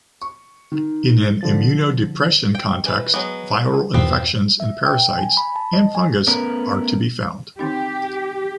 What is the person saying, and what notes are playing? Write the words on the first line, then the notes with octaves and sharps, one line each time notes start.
In an immunodepression context, viral infections and parasites and fungus are to be found.
C#6
D#3
D3 F3 A6
G5
E3 B4
F#3 G#3 B3
G#4
E2 G2 D#3 B3 C4 F4
E5
G5
G#5
B5
A5
D#5
G#5
A3 B3 C#4 A#4 B4
D#3 C4 D#4 G4